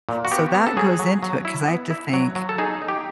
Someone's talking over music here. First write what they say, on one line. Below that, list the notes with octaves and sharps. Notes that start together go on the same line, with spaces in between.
So, that goes into it, 'cause I have to think,
A#2
F#4
B3 G4
B3
A4
F#3 G#4
F#3
F#3
E4
B3
E4
F#3
F#3
A4
D#4 G#4
D#4
G4